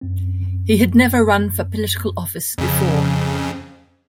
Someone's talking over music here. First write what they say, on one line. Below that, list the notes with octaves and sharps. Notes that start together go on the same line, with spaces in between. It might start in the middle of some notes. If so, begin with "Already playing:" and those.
He had never run for political office before.
F#2 C4
F2 C#3